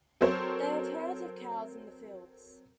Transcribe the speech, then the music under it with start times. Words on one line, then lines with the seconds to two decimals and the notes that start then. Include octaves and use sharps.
They have herds of cows in the fields.
0.21 F#3 C4 A4 A#4 C5 C#5